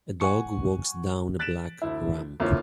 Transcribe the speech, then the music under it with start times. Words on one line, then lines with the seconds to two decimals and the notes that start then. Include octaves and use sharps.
A dog walks down a black ramp.
0.20 F#5 G#5 C#6 C#7
1.39 F#6 A6 B6 D7 E7 F#7
1.82 D2 E4
2.40 D2 A#3 E4 F4 A#4 C#5